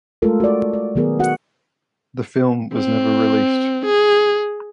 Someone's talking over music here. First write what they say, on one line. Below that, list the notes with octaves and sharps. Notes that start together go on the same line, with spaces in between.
The film was never released.
G#3 A3 F4 A4 A#4
F#4 D5
D5
D#3 F#3 B3 G#4 A#4
F#4 F#5
C4
G#4